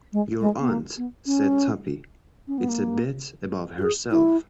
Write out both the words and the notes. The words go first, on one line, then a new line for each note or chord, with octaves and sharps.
Your aunt," said Tuppy, "is a bit above herself.
G#3
G#3
B3
A#3
B3
C#4
C#4
B3
A#3
F#4
G#4
E4